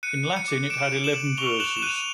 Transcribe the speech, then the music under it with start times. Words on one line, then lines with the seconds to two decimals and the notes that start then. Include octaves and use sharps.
In Latin, it had eleven verses.
0.03 F#6 C#7 D#7
0.25 D6
0.36 C#7 D#7
0.48 D6
0.70 D6 D7 E7
0.92 D6
1.04 E7 F#7
1.15 D6
1.37 C#6 F7 G7
1.60 F#6 E7 F#7
1.77 E7
1.82 F#6 D#7 F7